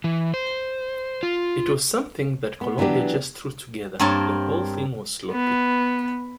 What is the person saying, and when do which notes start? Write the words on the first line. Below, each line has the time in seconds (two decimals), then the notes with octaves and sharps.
It was something that Columbia just threw together...The whole thing was sloppy.
0.04 E3
0.34 C5
1.23 F4
2.61 B3
2.78 E3 F#3 B3 D4 G4
3.99 G2 A#3 C4 A#4 C#5 A5
5.31 B3